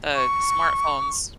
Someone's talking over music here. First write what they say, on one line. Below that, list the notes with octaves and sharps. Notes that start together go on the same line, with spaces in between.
the smartphones
C#6